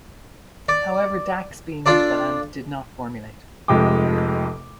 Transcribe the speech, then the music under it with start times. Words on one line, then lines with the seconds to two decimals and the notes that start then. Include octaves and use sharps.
However, Dax being in the band did not formulate.
0.69 D5
1.86 D4 F4 A4 D5
3.68 F1 F2 C3 G#3 G5 D6